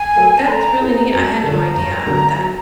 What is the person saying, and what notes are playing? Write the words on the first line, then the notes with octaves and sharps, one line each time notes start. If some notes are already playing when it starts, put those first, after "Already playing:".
That's really neat, I had no idea that
Already playing: G#5
F#3 A3
A5
A3 A#5 C6
C#4 E4 G#4 B4
F#2 A#5
A5
D3 F3 A3 A5
A#5
G2 A#5
D3 F#3 B3 D4
F#3